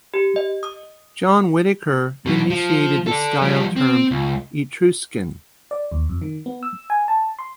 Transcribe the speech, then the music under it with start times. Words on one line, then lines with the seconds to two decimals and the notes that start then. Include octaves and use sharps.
John Whitaker initiated the style termed Etruscan.
0.14 G4
0.36 D#5
0.63 D#6
2.26 B2 F#3
2.50 F3
3.07 A4 D5
3.42 F3 G3
3.76 C4
4.11 C#2
5.71 D5
5.92 D#2
6.09 F2
6.22 D#3
6.46 B3
6.63 E6
6.90 G#5
7.08 A5
7.39 C6